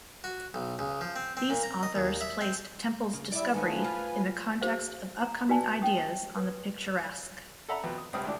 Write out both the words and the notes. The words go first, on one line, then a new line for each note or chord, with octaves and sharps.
These authors placed Temple's discovery in the context of upcoming ideas on the picturesque.
F#4
B1
C#2
F3
C4
C4
A#2
A#5
D#5
D#2
E5
C4
C#3
G3 E4 D5 E5
D#3 F3 A3 B4 G#5
F4
F#4 G#4 C5 F5
A#5
F#4 B4 D5 G#5 A5
C#4 G5 D#6
B4 D#6
A4 D5 E5 F#5 A#5 B5
F2 B2 B3
D#6
C#2 G2 C3 C4 D#6 F6
D2 A2 G3 D4 D6